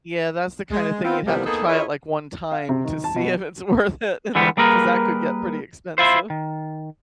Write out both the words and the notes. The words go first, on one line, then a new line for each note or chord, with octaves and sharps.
Yeah, that's the kinda thing you'd have to try it, like, one time to see if it's worth it, and then 'cause that could get pretty expensive.
G#3
B3 C4 F4
C3 E3 F3 G3 A#3 B3
A#3 B3 D#4 G#4 A4
E4 F4 G#4 A#4 C#5 D#5
F5
C3
D#3
A5
B2
D3 E3 G3 G#3 B3
G3 A#3 G#4 A#4 B4
E4 F4 C5
D#3